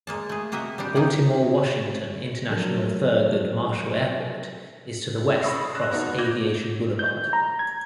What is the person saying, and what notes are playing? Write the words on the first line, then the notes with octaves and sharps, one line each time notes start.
Baltimore-Washington International Thurgood Marshall Airport is to the west across Aviation Boulevard.
G#3 A#3 A5
A3 G#4
C3 A#3 F#4 D#5 E5
G3 C4 D4 G4
A#3 C#4 D#4 G4
F3 F#3 D4 A4 A#4
B5 C#6 D#6 E6 A#6 C7
E6 F#6 A6 A#6 E7
F1 B3 D#4 F#4
D6 G6 G#6 A#6
G6
A#5
G#6